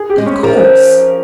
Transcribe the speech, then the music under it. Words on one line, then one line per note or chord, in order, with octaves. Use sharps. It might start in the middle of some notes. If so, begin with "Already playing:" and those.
"Of course."
Already playing: G#4
G4
G#3
C#4
F3 A#4